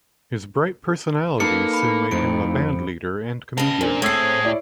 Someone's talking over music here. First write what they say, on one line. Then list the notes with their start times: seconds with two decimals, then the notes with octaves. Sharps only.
His bright personality soon made him a bandleader and comedian.
1.40 A#3 D#4 A4 B4 C#7
1.73 B5 C#7
2.11 F2 A2 C4 D#4 D7
3.58 C#3 B4 D#5 A5
3.81 F#2 A#2 C4 D4 A#4
4.02 A2 A3 C4 G#4 C#5 E6 C7
4.45 E4 C#5 D5